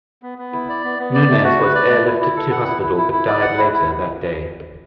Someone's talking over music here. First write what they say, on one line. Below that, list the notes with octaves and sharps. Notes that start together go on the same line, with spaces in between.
Nunes was airlifted to hospital but died later that day.
B3
B3
E4
D5
B3
B3
D5
A3
F#4
B4
D5
A3
E4
E4
A4
F#5
E4
E4
E4
E4
D5
F#5
E4
E4